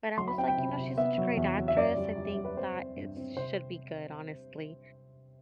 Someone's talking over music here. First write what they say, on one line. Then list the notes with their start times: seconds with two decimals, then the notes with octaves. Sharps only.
but I was, like, you know, she's such a great actress. I think that it should be good, honestly,
0.18 F#3 C6
0.28 B5
0.38 C4 G5
0.48 G5
0.57 C3
0.77 C3
0.97 B3 E5
1.18 F#3
1.37 E2
1.58 F#3
1.68 E5
1.76 F#2 D5
1.96 G3
2.17 G3
2.37 F#2
2.45 B4
2.57 C4 C5
2.77 C4
2.96 G2
3.17 C4
3.36 C3 C5